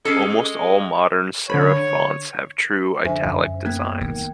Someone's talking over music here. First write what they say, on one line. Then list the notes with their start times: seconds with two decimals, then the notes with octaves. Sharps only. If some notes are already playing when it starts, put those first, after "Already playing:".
Almost all modern serif fonts have true italic designs.
0.05 G#3 C#4 G#4 A4
1.50 D3 C#5 B5
3.05 F2 D3 C5 E5 G#5
3.24 F#2
3.65 A#3 B3 G5 F#6 G#6
4.01 D#3
4.16 G5